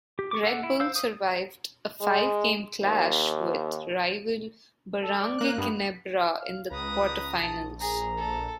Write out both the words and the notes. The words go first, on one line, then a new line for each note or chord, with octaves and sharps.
Red Bull survived a five-game clash with rival Barangay Ginebra in the quarterfinals.
G4
C#6 D6
A4 F#5
E4
C5 F5 E6
D#6
G#3
D#2
A4
D5
A#3 F#6
G2 B3
F5
C#2 B4 A#5 D#6
A#1 A5
G#4 A#5
A4